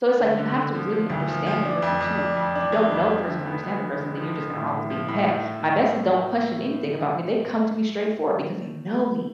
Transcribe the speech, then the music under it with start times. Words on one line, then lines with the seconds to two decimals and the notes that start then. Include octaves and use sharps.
So it's like you have to really understand the person too. If you don't know the person or understand the person, then you're just gonna always be in your head. My besties don't question anything about me. They come to me straightforward because they know me.
0.20 D3
0.38 D3
0.56 D3
0.75 F3
0.92 F3
1.10 D2
1.28 F3
1.47 F3
1.65 D4
1.82 F2
2.01 F2
2.18 D4
2.37 F2
2.55 D4
2.72 G#3
2.92 F2
3.09 F3
3.28 D3
3.46 B3
3.64 B3
3.81 D3
4.00 G#3
4.17 F3
4.35 F3
4.53 A2
4.71 A2
4.90 F3
5.08 A2
5.26 A2